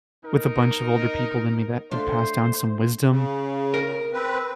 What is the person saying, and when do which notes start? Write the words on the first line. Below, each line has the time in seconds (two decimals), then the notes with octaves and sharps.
with a bunch of older people than me that could pass down some wisdom.
0.24 D#4 A#4
1.91 A3 D4 F4 C5
3.09 C#3
3.74 A#4
4.13 C4 B4